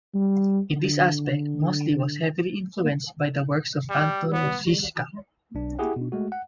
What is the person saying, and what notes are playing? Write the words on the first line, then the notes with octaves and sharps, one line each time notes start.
In this aspect, Mosley was heavily influenced by the works of Anton Zischka.
G3
D3
G3
B3
B1 D4
E4 G4 G#4 F#5
B2
G#3 A3 F#4
F#5